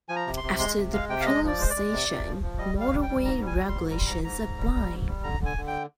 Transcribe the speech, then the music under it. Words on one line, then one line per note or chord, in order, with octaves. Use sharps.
After the toll station, motorway regulations apply.
F3 G#5
A#5
C3
C6
C3
G#3 C6
C3
G#3 F5
C3 G5
F5
G#3 D#5
F3 D5
G#3 C5
D5
G#3
C3
C3
F3
F3
G3 D#5
G3
F5
G3
G5
G3
G#2 A#5
G3
G#5
G3
C6
G#2
G3 A#5
C6
G#2 A#5
G#2 A#5
G#2
G3
G3
G#2
G3
D3 A#5
D3
G#5
D3
G5